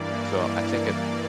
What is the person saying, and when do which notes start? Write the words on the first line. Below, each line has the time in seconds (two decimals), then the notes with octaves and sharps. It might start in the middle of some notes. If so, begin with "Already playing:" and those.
So I think a
Already playing: G2 E3 A#3 D5